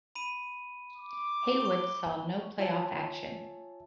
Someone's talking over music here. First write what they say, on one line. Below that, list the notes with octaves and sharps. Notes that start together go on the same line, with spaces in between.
Haywood saw no playoff action.
B5 D#7
D6
C#6 G7
F4 C#5 E5 G#5 A5